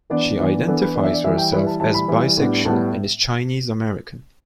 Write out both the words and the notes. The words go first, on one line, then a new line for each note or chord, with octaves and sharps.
She identifies herself as bisexual and is Chinese American.
E3 B3 D4 D5
E3 B3 D4
E3 B3 D4 A4
B4
E3 B3 D4 D5
E5
D5
E3 G3 E4 E5
G5
E3 G3 E4 B4
A5
E3 G3 E4 A5
B5
E3 G3 E4
A2 G3 B3 D4
A2 G3 B3 A5